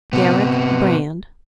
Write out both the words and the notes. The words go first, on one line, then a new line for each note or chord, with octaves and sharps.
Deryck Brand.
C3 B3